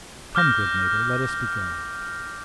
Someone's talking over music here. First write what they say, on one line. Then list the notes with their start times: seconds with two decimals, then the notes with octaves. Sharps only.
Come, good neighbour, let us be going.'
0.35 D6 F6 G6 A#6